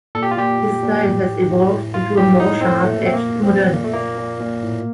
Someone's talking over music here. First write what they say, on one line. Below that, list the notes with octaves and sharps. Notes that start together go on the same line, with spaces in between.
His style has evolved into a more sharp-edged modernity.
A#2 A4
G4
F4
A#2 G4
A#2
A#2
A2
A2
A2
A2
A2 F4
A2 G4
A2 D#4
A2 C4
A#2 A3
A#2 C4
A#3
A#2
C4
A#2
A#2 A#3
A3
A#2 A#3
A#2
A#2
A2